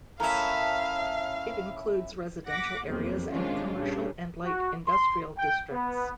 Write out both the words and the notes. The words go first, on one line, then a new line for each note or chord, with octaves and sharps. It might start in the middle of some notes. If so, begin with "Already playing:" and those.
It includes residential areas and commercial and light industrial districts.
A2 C#4 A#4 E5 F5
F#5 D6 A#6 B6
B1 F2 C3 E3 A#3
C3 D#3 G#3 C#4 D4 F4
G2 A#2 C#3
F#4
C6
G5
B3